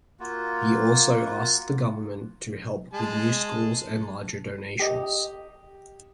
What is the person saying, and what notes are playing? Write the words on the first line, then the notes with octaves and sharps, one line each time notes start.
He also asked the government to help with new schools and larger donations.
A#3 F4 F#4
G#3 A5
G4 D#5